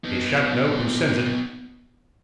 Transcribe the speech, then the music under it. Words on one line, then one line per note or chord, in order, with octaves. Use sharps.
'He shan't know who sends it.
B3 D#4